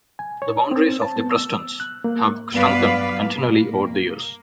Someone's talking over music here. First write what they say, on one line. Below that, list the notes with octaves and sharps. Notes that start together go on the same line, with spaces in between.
The boundaries of the Prestons have shrunken continually over the years.
G#5
C#5
C4
A5
B3
E6
F#6
A#3
G2 F#3 B3 B4 D5 F5
A#3